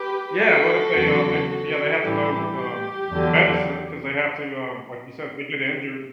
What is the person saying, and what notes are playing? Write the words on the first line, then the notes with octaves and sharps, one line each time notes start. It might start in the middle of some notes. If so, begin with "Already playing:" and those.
Yeah, what if they, um, they yeah, they have to know, um, medicine 'cause they have to, um, like you said, if they get injured
Already playing: G4 B4
F#4 A4
E2 C#3 F#3
F#4 A4
A2 E3 G3 G4
G4
E2 D3 F#3